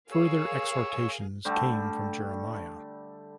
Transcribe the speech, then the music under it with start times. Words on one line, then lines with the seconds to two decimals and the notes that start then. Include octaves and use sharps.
Further exhortations came from Jeremiah.
0.11 G#4 A#4 C#5 F5 E6
1.45 D3 G3 A3